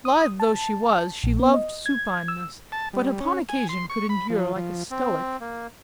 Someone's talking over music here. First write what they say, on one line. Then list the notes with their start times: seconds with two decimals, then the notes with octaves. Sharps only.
Lithe though she was, she loved supineness, but upon occasion could endure like a stoic.
0.05 D#6
0.40 A5
1.23 A#1
1.39 B3
1.54 D#5
1.86 G#6
2.28 E6
2.72 A5
2.93 G3
3.20 C#4
3.49 G#5
3.69 C6
3.90 C#6
4.09 B5
4.30 F3
4.56 F3
4.91 C4
5.40 A#3